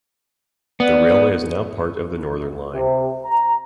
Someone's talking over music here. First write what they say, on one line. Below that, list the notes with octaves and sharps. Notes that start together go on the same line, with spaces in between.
The railway is now part of the Northern line.
B3 D5
C3
A#5